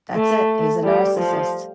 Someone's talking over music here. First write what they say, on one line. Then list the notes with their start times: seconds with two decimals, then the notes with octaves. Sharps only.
That's it, he's a narcissist.
0.15 A3
0.83 G3
1.18 F3